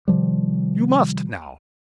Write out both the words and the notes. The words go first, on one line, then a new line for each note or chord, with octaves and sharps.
You must, now!
C3 D#3 F3 G3